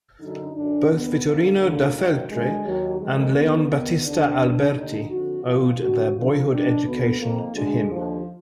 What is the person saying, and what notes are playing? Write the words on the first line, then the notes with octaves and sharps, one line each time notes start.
Both Vittorino da Feltre and Leon Battista Alberti owed their boyhood education to him.
F#2 D3 D#4
F#2 D3 D4
D#2 D3 B3
F2 D3 A#3
D2 D3
F#2 D#3
F#2 D3 G#3
D#2 D#3 F#3
F2 D#3 G#3
F2 D3 B3
D#2 D#3 B3
D#2 D3 D4
D#2 D#3
D#2 D3 D#4
F2 D3 F#4
F2 D#3 F4
D#2 D3 F#4
F2 D3 F4
F2 D#3 D4
D2 D3 B3
F2 D#3 A#3
D2 D3 G#3
D#2 D3 F3